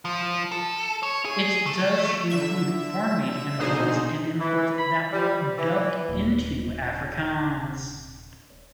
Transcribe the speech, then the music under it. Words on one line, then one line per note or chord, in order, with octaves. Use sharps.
It does include foreign-made imports and imports that were dubbed into Afrikaans.
F3
A4
C#5
G#4
A3
D3 E5 E7
A#1 B2 D3 D#4 G#4 C5
E3
B5
G3
E3
D#1 D#3